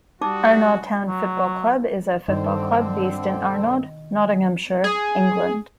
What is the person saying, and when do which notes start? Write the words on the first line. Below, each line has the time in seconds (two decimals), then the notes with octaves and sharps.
Arnold Town Football Club is a football club based in Arnold, Nottinghamshire, England.
0.21 G3 D#4 F#4 A5 D6 D#6
1.05 F#3
2.28 G2 D3 D#3 C4
4.84 G#4